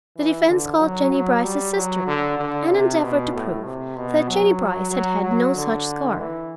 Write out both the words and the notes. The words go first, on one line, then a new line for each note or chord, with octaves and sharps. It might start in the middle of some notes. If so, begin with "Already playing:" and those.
The defense called Jennie Brice's sister, and endeavored to prove that Jennie Brice had had no such scar.
E3
D3
F#3
F#3
G3
F#3
D3
D3
C3
B2
A2
C3
B2
F#3
F#3
F#3
D3
E3